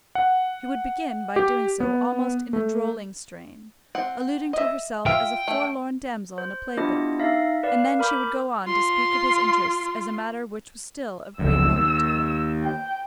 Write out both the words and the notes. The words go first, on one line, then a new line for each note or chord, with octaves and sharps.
She would begin by doing so almost in a drolling strain, alluding to herself as a forlorn damsel in a play-book; and then she would go on to speak of his interests as a matter which was still of great moment to her.
F#5
G4
B3
A3
C4 F#5
D#5 E5
F4 E5 F5 G5
A3
C5
B3 D4 E4 F4 G4 D#5
D#4 E5 F5 A#6
B4 D5 F5
A#4 B5 D6 G6
F4 C6
F1 C#2 F#2 E6
D#2
G5